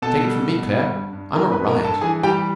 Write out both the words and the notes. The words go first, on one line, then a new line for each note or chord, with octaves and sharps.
Take it from me, Claire, I'm a riot.
B2 A4 A5
G3
B2
G3
G2
G2
G#3 A#4 A#5
B4 B5
G2
A#4 A#5
G2 A4 A5
E3 G#4 G#5
G3 G4 G5